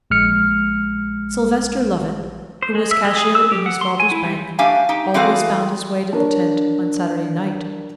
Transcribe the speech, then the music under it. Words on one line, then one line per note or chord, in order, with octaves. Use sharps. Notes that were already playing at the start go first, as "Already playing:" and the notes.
Sylvester Lovett, who was cashier in his father's bank, always found his way to the tent on Saturday night.
A#1 G#3 F6 C#7
C5
G#3
E5
G#3
G#4
E6
G4
F#5
C6
G#5
E4
G3
A3 D4 G4 F5 G#5
D#4 G4
E3 C4 F#4 G#4 A4 F5
D4 A#4 C#5